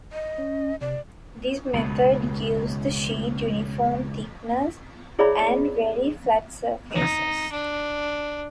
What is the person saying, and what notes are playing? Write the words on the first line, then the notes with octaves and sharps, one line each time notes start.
This method gives the sheet uniform thickness and very flat surfaces.
D#5
C#4
C3 D5
C#2 B2
E4 G#4 C#5 D5 E5 B5
D#4
D4